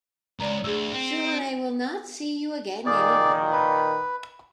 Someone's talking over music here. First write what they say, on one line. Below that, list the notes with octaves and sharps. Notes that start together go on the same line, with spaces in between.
Sure I will not see you again any more.
C#2 D5 A#5
D2 G#4 E6
C4
A#2 D#3 G#4 D5
B4